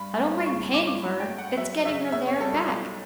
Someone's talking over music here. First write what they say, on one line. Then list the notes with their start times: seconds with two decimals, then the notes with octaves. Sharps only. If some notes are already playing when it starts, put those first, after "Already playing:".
I don't mind paying for her; it's getting her there and back.
Already playing: G2 B5
0.18 G2
0.46 C#3 C#6
0.74 C#3 D6
0.87 D6
1.02 G2 B5
1.20 G5
1.30 A3
1.38 F#5
1.57 F#3 E5
1.85 C#3 E5
2.12 C#3 E5
2.27 C#5
2.40 G3 A4
2.54 A4
2.69 B1